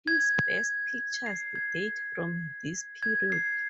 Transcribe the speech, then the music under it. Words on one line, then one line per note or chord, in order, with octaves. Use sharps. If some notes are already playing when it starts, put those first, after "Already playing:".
His best pictures date from this period.
G#6
C7
G#6
G#6
C7